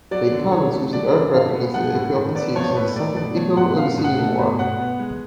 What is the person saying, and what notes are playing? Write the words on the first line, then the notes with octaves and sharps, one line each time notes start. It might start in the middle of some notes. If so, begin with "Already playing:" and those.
The Italians used aircraft against the Ethiopian cities in the Second Italo-Abyssinian War.
F#3 D5
D3
D3 C#5
A3
F#3 D5
D3
A2 F5
B3
F3 F#5
A2
A2
B3 D5
F3 C#5
C#5
A2 B4
A3 D5
B2 D5
A3 C#5
B2 F#5
A3 F5
B2
F#5
A3
B2
B2 F#5
B3
G#3